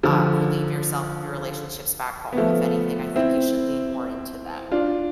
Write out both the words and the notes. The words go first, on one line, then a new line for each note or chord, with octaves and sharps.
uh, relieve yourself of your relationships back home. If anything, I think you should lean more into them,
D3 F3
B3
F3 A3
C4 E4
D4 F4